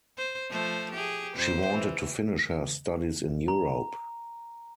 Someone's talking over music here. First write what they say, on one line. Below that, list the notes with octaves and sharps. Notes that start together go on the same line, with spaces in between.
She wanted to finish her studies in Europe.
C5
F3 A3 C5
G4 G#4
F2 C5
E3
A#5